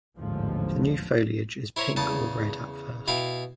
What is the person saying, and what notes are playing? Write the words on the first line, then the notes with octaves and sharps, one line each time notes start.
The new foliage is pink or red at first.
A1 D#2 G#2 D3 F3
E4 C5 C#5 A#5
E2 C#3 A5
B2 E4 F5 G5